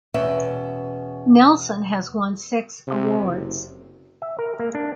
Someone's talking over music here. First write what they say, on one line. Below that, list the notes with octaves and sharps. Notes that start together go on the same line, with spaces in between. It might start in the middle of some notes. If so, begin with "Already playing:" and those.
Nelson has won six awards.
E2 B2 C#4 B4 E5 G5
C3
F#1
E5
A#4
A#3
D4